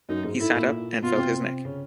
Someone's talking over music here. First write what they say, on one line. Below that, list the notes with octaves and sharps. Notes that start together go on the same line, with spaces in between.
He sat up and felt his neck.
F#2 F#3 D#4
G#2 G#3
A2 A3 E4
A#2 A#3
B2 B3 F4
C3 C4
C#3 C#4